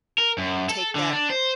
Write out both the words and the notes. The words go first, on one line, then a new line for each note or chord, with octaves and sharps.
take that
A#4
F#2
A4
D3
D4
C5